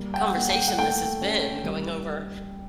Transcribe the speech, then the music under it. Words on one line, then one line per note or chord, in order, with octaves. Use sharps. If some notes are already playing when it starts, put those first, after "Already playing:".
conversation this has been, going over
Already playing: G3 A#3
G5
F#5
A#3
G5
F#5
A3 G5
C#4
G3